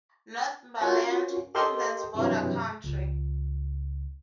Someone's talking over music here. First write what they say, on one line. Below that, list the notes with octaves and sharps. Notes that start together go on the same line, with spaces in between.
Northumberland: England's Border Country.
C#4 F4 F#4 A#4 C#5
G4 A4 A#4 D#5 C6 G6
G2 C3 E3 F#3
C#2